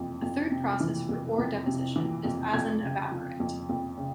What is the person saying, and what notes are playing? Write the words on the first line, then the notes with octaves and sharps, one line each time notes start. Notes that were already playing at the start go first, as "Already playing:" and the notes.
A third process for ore deposition is as an evaporite.
Already playing: F2 E3
F2
C3
E3
F2
F2
C3
E3
F2
F2 G#6
C#3
F3
F2
F2
C#3